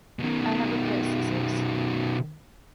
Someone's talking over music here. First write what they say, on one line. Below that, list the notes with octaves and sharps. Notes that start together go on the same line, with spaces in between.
I have a pair of scissors.
B2 D#3